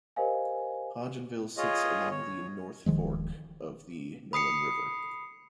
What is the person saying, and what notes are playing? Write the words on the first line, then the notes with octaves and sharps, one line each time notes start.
Hodgenville sits along the North Fork of the Nolin River.
G4 A#4 C5 D#5 F5 G#5
F4 G#4 C#5 D#5
C#5
D1 D#3 F3 G#3
B5 D#6 C7 C#7